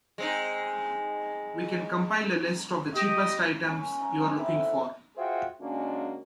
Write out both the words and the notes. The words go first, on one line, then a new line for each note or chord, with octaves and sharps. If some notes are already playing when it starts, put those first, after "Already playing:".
We can compile a list of the cheapest items you are looking for.
G#3 C4 D#4
G4 D#5
C#4
A#5
C4
E4
D3
F4 F#4 G#4 C5 E5 G5
C#3 G#3 A#3 C#4 D4 F#4